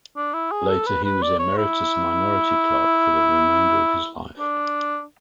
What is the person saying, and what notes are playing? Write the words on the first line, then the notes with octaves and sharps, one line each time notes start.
Later, he was Emeritus Minority Clerk, for the remainder of his life.
D4
E4
G#4
A4
B4
B4
D5
C#5
E4
D4